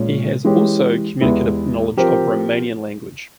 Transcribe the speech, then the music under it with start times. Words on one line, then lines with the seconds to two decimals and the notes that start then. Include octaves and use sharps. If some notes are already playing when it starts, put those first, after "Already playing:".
He has also communicative knowledge of Romanian language.
Already playing: A#2 G#3 C#4
0.45 E3 G#3 C#4 G4
1.21 E2 E3 G#3 E4 G4
1.97 F3 C4 G4 A#4